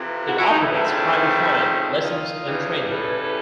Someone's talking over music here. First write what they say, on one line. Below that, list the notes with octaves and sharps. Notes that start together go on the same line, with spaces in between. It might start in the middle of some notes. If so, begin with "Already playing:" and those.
It operates private flying, lessons and training.
Already playing: F2 C3 E3
E4 F#4
E4 F#4
D#4
D4 E4
C#3 F3 A3 C4
D#4
D#4 F4
E2 C#3 E3 G3
A4 B4